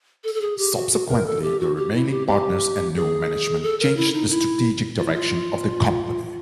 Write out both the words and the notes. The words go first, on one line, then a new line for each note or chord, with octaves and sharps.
Subsequently, the remaining partners and new management changed the strategic direction of the company.
A4
A4
G#4
G4
F#4
F#4
A#4
A4
G4
F#4
G4
E4
G4
G4
G#4
A4
A#4
E4
D#4
E4
F4
E4
F4